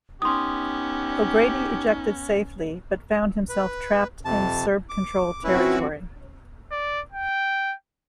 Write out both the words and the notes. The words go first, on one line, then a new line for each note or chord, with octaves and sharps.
O'Grady ejected safely, but found himself trapped in Serb-controlled territory.
B3 C#4 D#4 G4 C6 D#6
B4
F2 C3 A5
D6
F3 C4 C#4 E4 F#4 B4
D5
G5